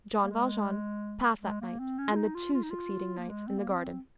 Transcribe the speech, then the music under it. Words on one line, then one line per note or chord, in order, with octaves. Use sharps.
Jean Valjean passed that night and the two succeeding nights in the garden.
A#3
G#3
G#3
A#3
C4
C#4
F4
D#4
F4
F4
D#4
F4
A#3
G#3
C4
A#3
C4